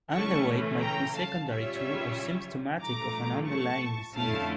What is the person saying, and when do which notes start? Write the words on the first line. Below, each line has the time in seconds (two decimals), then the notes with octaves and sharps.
Underweight might be secondary to or symptomatic of an underlying disease.
0.15 C#3 E3 A3 C#4 A5 C#6
0.81 G5 A#5
1.14 F5 A5
1.48 C#3 G3 C#4 F4 C#5 E5
2.81 G2 F3 A3 A#5 D6
3.48 A5 C#6
4.15 F2 D3 A3 C#4 E4 F5 A5